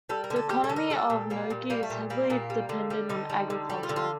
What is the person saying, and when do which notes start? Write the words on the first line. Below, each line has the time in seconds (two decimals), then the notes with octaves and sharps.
The economy of Nogi is heavily dependent on agriculture.
0.09 G3 A4
0.24 A#4
0.30 D3
0.36 A4
0.50 G3 G4
0.64 A4
0.69 D3
0.76 A#4
0.90 G3 A4
1.10 A#2
1.30 G3 A#3
1.50 A#2
1.70 G3 A#3
1.83 A3
1.90 A#2
2.10 G3 A#3
2.30 A#2 A#3
2.50 G3
2.69 D3
2.90 G3
3.09 D3 D#4
3.30 G3
3.50 D3
3.70 G3 G4
3.83 F4
3.89 D3
3.96 F4